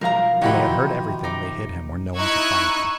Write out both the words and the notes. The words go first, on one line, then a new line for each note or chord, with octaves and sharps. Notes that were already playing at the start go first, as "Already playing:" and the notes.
When they had heard everything, they hid him where no one could find him.
B1 F3 A#4 F5 A#5
C3 D#3 D#4 E4 F#4 G5 B5
D#4 D6
D#4 E4 C#6 E6 F#6 G#6